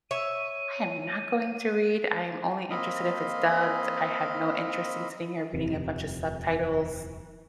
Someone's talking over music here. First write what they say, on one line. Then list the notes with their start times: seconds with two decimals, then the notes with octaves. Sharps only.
"I am not going to read, I am only interested if it’s dubbed, I have no interest in sitting here reading a bunch of subtitles,"
0.11 C#5 E5 D#7
2.70 A#3 C4 D#5 F5 B5
5.53 D#1 F2 C3